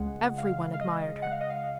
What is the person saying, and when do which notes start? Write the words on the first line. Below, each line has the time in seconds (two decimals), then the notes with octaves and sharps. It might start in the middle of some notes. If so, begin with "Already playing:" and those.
Every one admired her.
Already playing: C#2 C#3 G#3 F#5
0.38 F5
0.74 F5
0.81 D#5
1.22 F#5
1.32 F5
1.41 D#5
1.50 F5